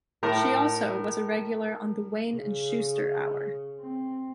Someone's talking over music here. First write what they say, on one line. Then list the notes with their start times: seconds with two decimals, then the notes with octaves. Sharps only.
She also was a regular on the "Wayne and Shuster Hour".
0.23 A2 A#4
2.32 C#3
3.80 C4